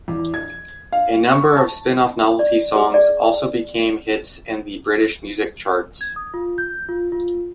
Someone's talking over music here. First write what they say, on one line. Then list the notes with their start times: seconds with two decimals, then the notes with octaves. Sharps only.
A number of spin-off novelty songs also became hits in the British music charts.
0.08 E2
0.34 G#6
0.92 F5
1.32 C#6
1.56 A5
2.39 D5
2.76 G#4
2.94 D5
6.01 G#6
6.16 D#6
6.34 F4
6.58 G6
6.89 F4
7.12 F4